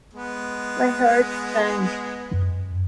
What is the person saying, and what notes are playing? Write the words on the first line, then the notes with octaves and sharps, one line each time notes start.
My heart sank.
G#3 B3
F#2